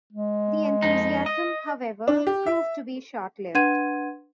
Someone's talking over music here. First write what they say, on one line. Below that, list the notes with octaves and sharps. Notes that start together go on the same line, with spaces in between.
The enthusiasm, however, proved to be short lived.
G#3
F2 D#4
D#5
D4
G4
E5
D4 B4 F#5 C6 G#6 D#7